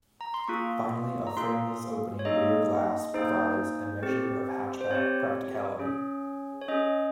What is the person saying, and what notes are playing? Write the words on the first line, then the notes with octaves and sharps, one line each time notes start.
Finally, a frameless opening rear glass provides a measure of hatchback practicality.
A#5
C6
A#3 F4 G#4 C#6
A#5
A#3 F4 G#4 C6
C#5
A#3 D#4 G#4 D#5
A#3 D#4 G#4 C5
C4 G4
C5
C4 G4 C#5
C#4 G#4
C#5
C#4 G#4 D#5